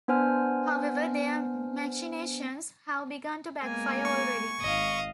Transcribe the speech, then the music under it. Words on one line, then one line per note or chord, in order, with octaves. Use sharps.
However, their machinations have begun to backfire already.
B3 D4 C5 G#5 F6
G#3 A#3 B3 G#5
C#6
G#1 G#2 D#5 F5